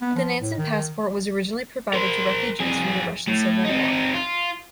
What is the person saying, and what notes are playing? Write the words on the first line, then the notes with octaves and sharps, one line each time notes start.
The Nansen passport was originally provided to refugees from the Russian civil war.
B3
F3
A2
D#3
A#4 C5
F2 G#4
A2
C4 D#4
F4